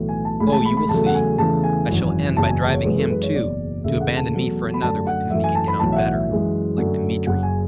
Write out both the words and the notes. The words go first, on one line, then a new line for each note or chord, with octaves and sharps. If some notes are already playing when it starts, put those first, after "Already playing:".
Oh, you will see, I shall end by driving him, too, to abandon me for another with whom he can get on better, like Dmitri.
Already playing: B1 A2 E3 A3
G#5
A5
A1 A2 G#3 B5
G#5
A5
B5
B5
E2 C#3 F#3 A3 A5
F#5
G#5
E2 C#3 E3 A3 A5
G#5
G#1 F#2 E3
F#1 E2 C#3 F#3 A5
G#5
A5
C#5
F#2 E3 G#3 B4
A4
B4
C#5
F#1 E2 B2 D5
E1 D2 C#3 E3 A3 E5
F#5
A5
E2 B2 F#3 A3
B5
F#2 D3 A3 A5
F#5
F#2 E3 A3 E5
G#5
A5
B5
B1 A2 E3 A5
E5
F#5
E5
F#2 E3 G#3
F#2 D3 F#3 A3
F#1 F#2 C#3 F#5
G#5